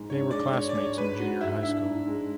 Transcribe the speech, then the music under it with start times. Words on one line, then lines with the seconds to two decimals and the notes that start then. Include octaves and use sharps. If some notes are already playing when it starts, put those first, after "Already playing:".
They were classmates in junior high school.
Already playing: G#2 G#3
0.09 D4 C#5
0.31 G#3 D5
0.53 D4 C#5
0.69 D5
0.75 G#3 C#5
0.97 G#3 B4
1.19 G#2 F#4
1.41 G#3 E4
1.63 D4 E4
1.85 G#2
2.07 G#3